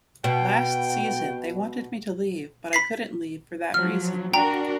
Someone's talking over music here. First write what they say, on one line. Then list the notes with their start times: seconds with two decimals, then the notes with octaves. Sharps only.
Last season, they wanted me to leave but I couldn't leave for that reason.
0.24 B2 G5
2.73 B5 B6 C7
3.74 F3 F#3 F6
4.34 D4 F#4 A#4 G5 A#5